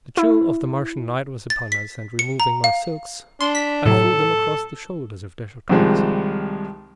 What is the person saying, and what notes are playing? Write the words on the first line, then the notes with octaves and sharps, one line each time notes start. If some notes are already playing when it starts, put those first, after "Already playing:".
The chill of the Martian night was upon us, and removing my silks I threw them across the shoulders of Dejah Thoris.
E4
A6
B6
C#7
A#5
F5
D4 C6
B6
A2 C3 F#3 A4
C2 C3 D#3 F3 G#3